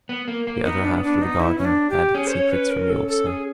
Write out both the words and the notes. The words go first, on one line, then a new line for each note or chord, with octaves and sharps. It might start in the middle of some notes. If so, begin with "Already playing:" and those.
The other half of the garden had its secrets for me also.
B3
A#3
A#3
B3 D#4
D4
D4
D#4
E4
C#4
D4
G4
C#4 G#4
C5
C#5
B4
A#4
A4
A4
G#4